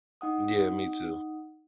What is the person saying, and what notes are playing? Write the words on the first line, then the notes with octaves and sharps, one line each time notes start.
Yeah, me too.
D#4 F#5 D#6